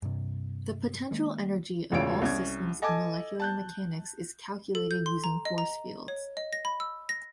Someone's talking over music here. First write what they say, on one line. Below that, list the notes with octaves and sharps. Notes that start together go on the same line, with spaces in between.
The potential energy of all systems in molecular mechanics is calculated using force fields.
G2 C3
D#3 G#3 A#3 C#4
E1 A1 C#3 F4 C#5 D7
C2 C#4 G#6
A4 D#5 G#5 A5 D6 G#6
A5 F#6 G6
A4
G6
C6
A#5
D#5
A#5
C#5
D#5
A#6
B5
E6
A#6